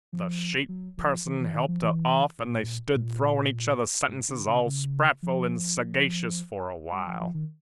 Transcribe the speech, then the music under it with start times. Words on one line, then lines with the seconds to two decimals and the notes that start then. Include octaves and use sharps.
The sheep person helped her off; and they stood throwing each other sentences all sprightful and sagacious for a while.
0.13 F3
0.69 F#3
0.97 F3
1.25 E3
1.40 E3
1.54 D#3
1.68 F3
1.82 E3
2.39 A#2
2.95 A#2
4.09 G#2
4.28 D3
4.47 C#3
4.66 C#3
5.23 F3
6.92 G3
7.07 F3
7.21 F3
7.34 D#3